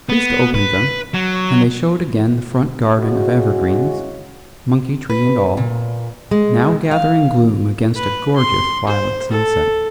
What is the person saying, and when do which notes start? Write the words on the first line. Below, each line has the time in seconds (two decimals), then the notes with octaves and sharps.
The priest opened them, and they showed again the front garden of evergreens, monkey-tree and all, now gathering gloom against a gorgeous violet sunset.
0.09 B3
0.54 B4
1.14 F#3
2.99 C#3 G#3 E4 F#4
5.10 B4
5.57 A#2
6.31 G#3
6.91 F5
7.96 B4
8.37 C6
8.87 C5
9.31 A4